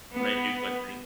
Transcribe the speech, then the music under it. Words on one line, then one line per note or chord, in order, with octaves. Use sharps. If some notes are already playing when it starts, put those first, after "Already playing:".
when I do good things
B3